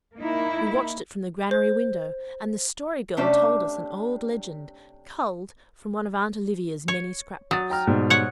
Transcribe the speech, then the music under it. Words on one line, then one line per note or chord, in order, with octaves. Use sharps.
We watched it from the granary window, and the Story Girl told us an old legend, culled from one of Aunt Olivia's many scrapbooks.
A#3 D#4 E4
C5
C3 A3 C#4 D4 D5 E5
C#5
F#3 D#6 A6
G5 A#5 F6
G#2 B2 G3
C#5 F#5